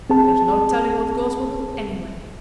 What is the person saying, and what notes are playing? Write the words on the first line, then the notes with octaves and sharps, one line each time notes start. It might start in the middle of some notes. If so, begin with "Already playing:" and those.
There's no telling what girls will do anyway.
C4 G#4 A5